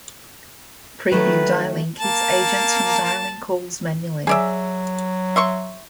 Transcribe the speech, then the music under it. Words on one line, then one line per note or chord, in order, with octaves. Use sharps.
Preview dialing keeps agents from dialing calls manually.
D#3 F#3 A3 B4
A#3 A5
F#3 G#4 D5 E5
E5 C6 C#6